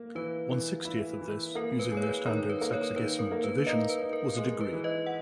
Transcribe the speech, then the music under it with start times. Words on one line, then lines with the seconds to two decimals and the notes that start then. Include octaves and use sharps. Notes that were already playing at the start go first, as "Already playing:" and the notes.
One sixtieth of this, using their standard sexagesimal divisions, was a degree.
Already playing: A#3
0.15 E3 B4
0.50 E3
0.85 E4
1.21 E3
1.55 A#3 A#4
1.79 B4
1.91 G#4
1.97 C#5
2.03 B4
2.26 D#3 A#4 C#5
2.50 B4
2.61 A#3
2.72 A#4 C#5
2.96 D#3 B4
3.19 A#4
3.31 A#3
3.44 B4
3.58 B4
3.67 D#4 A#4
3.89 B4
4.02 D#4
4.13 A#4
4.37 G#3 A#4
4.61 B4
4.73 E3
4.84 B4 D#5
5.07 F#5